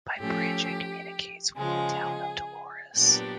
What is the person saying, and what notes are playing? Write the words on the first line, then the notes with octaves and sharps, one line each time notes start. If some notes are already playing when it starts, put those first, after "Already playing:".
By bridge it communicates with the town of Dolores.
A2 F3 A3 C#4 G4
C#3 F3 G#3 G#4
A#2 F#3 B3 D4 G4